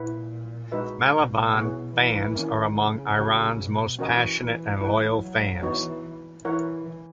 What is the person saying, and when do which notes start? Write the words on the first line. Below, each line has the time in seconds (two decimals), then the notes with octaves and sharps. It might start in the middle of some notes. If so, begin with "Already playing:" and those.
Malavan fans are among Iran's most passionate and loyal fans.
Already playing: A#2 E4 B4 F#5
0.72 G#3 D#4 F#4 B4 E5
1.13 B2
1.54 B3 E4 G#4 C#5 F#5
1.95 E3
2.35 D#3 A#3 C#4 E4
2.76 C#3
3.17 F#4 C#5 F#5
3.59 B2
3.99 E3 C#4 F#4 A#4 D#5 F#5
4.41 E3
4.81 E3 E4 B4 F#5
5.22 F#3
5.62 E3 B3 D#4 F#4 C#5
6.44 E3 E4 A#4 C#5 F#5